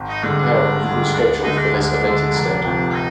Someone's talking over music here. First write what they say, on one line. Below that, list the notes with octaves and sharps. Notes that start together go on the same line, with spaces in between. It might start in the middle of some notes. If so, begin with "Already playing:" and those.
The pairing was rescheduled for this event instead.
Already playing: G#1
D#4
G2 D3 G#3 D4
D4
G#1
G2 D3 G#3
D2 D4
D3 G#3 D#4
D4
D2
D4
D3 G#3
F1
F2 C3 F3
F4
D#4